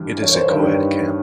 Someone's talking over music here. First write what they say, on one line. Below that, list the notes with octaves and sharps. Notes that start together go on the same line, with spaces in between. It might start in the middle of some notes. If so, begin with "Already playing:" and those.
It is a coed camp.
Already playing: G2 E3
C#5
C5
G2 D#3 B4 C#5